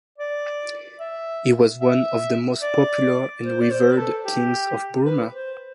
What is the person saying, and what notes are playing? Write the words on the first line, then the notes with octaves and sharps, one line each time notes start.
He was one of the most popular and revered kings of Burma.
D5
E5
E5
D5
C5
D5
C5
B4
A4
G4
B4
C5